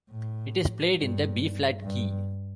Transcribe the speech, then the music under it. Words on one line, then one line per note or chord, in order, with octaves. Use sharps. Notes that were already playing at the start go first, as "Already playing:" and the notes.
It is played in the B flat key.
A2
G2
G2